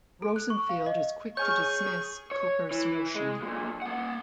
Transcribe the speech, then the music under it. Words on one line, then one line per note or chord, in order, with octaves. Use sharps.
Rosenfield is quick to dismiss Cooper's notion.
A4
F#6
C#6
F5
D#5
G#4 C#5 G#5 C#6 F6 G6
C#5
E3
G#3
B1 A#2
A#3 F#5